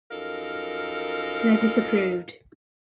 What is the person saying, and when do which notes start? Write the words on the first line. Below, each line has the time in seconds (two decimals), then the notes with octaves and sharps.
And I disapproved.
0.11 F#2 F3 D#4 A4 A#4 F5